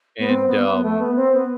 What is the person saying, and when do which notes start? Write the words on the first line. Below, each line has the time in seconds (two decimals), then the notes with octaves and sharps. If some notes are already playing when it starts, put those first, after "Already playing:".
And, um,
0.19 B3
0.29 C4
0.47 B3
0.64 B3
0.82 A3
0.99 B3
1.16 C4
1.34 B3